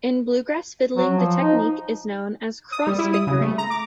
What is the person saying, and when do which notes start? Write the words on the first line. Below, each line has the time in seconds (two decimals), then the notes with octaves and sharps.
In bluegrass fiddling the technique is known as "cross-fingering".
0.96 F#3
1.14 F3
1.42 D#4
2.72 D#6
2.87 G3
2.98 E4
3.13 D#6
3.27 C#3
3.41 A3
3.58 A#5
3.70 D6